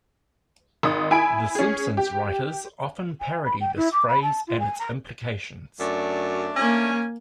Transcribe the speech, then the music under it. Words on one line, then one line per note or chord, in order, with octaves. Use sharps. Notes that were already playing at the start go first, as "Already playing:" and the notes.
"The Simpsons" writers often parody this phrase and its implications.
G#1 D#4 D#6
E4 G#5 B5 D7
C#4 G#4
G4
G#5
B5
G5
E4
D6
B5
A5
F4
G#5
A#5
F#2 A3 D4 D5
A#3 C#4 G#5